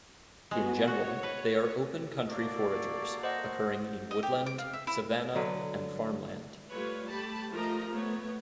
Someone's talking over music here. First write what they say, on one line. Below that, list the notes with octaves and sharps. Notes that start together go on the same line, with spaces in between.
In general they are open country foragers, occurring in woodland, savanna and farmland.
G#3 B3 F#4
F#4 C#5
B4
A#3 F#4 A4 D5
C5 D#5 F#5
D#5
G4
D6
F5
E5
E4
D3 F#3 B4
G3 A3 F4 B4 C#5
A3 G4 A5 B5
F3 A3 F4 A#4 D#5 A#5
A3 B3 C#5